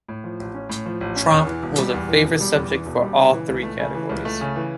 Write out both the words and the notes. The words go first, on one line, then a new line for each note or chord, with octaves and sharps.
Tromp was a favourite subject for all three categories.
A2
F3
A1
C#4
A2
F3
A1
C#4
E2
E3
E1
G3
E2
E3
E1
G3
E2
E3
E1
G3
C#3
E3
C#2
A3
C#3
E3
C#2
A3
C#3
E3